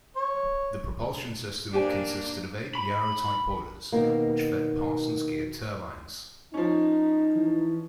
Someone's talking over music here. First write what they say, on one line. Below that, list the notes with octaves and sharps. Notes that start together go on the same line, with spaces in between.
The propulsion system consisted of eight Yarrow-type boilers, which fed Parsons geared turbines.
C#5
A#3 D4 G4 C5 G#5
B5
B2 D#3 A#3
F3 C#4 D#4
E3